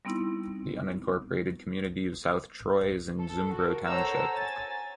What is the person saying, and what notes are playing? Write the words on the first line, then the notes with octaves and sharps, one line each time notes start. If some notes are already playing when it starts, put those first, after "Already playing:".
The unincorporated community of South Troy is in Zumbro Township.
G3 B3 C4 D#4 E4
A4
F#4 A#4
A4 C5 C#5 F#5 A#5 E6
G#5 A6